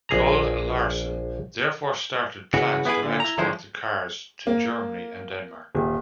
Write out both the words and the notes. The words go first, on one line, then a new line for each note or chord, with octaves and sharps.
Kohl-Larsen therefore started plans to export the cars to Germany and Denmark.
A#1 G#4 A#5
C#3 E3 F#4
B3 E4 F#4 G#4 B4
A#2 D3
E4 A#5
D3 E3 F3 G#3 E4 C5
A#3
D#1